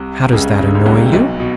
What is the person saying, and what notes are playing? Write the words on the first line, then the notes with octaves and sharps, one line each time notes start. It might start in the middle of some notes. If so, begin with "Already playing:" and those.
"How does that annoy you?"
Already playing: C2 C3
C#2 C#3
C#3
D3
C#2 C#3
C2 C3
C3
B1 B2
B2